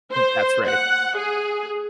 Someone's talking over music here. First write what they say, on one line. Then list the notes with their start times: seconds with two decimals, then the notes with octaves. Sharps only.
M that's right.
0.12 C5
0.66 F#5
1.15 G#4